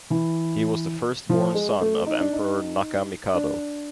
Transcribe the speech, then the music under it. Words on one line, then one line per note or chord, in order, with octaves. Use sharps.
He was the firstborn son of Emperor Nakamikado.
E3
F3
G#3
A3
D#4
D4
D#4
D4